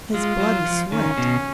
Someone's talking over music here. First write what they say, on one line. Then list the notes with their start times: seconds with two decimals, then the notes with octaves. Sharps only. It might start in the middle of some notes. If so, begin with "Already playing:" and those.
His bloody sweat.
0.13 G#3 F4
0.40 F#3
0.65 F3
0.92 D#3 C#4
1.18 B2